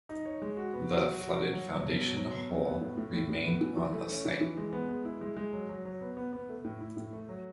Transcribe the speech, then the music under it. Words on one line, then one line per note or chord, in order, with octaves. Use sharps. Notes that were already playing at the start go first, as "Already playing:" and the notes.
The flooded foundation hole remained on the site.
D#4
C#5
G#3
F#4
B3
F#4
F#3
F#4
F#4
F#3
F#3
B2
F#3
F#3
B2
F#3
B3
A2
A2
A2
A2
B3
E3
E3
A3
C#4
E3
E3
G#3
B3
G#3
E4
G#3
G#3
F#3
F#3
F#3
B3
B3
B3
A3
A2
E4
A2
A3
F#3